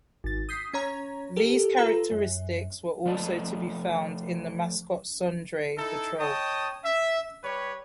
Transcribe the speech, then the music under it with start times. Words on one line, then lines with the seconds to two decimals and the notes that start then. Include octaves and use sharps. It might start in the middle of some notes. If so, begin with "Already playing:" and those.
These characteristics were also to be found in the mascot Sondre, the troll.
0.24 G#1 A6
0.49 D#6 G6 B6 C7
0.73 C#4 C#5 A#5
1.36 G4 A4 A#4
1.76 F4 A4 B4 A#5 A#6
2.11 F#2
3.06 F3 A3 D5 D#5 G#5 A5
5.76 D#4 E4 A4
6.19 C#5 D#5 G5 A5 D#6
6.84 E5
7.43 G3 G4 B4 C#5